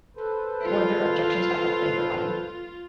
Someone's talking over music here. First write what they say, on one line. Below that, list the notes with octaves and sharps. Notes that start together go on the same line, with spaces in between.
Were there objections that had been forgotten?
A4 B4 C5
F4